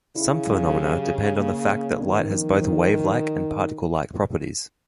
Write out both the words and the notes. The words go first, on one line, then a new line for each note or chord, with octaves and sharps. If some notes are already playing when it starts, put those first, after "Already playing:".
Some phenomena depend on the fact that light has both wave-like and particle-like properties.
C#3 E4
F#3
G4
C#4
A#3
C#4
D#3 B3
F3
F3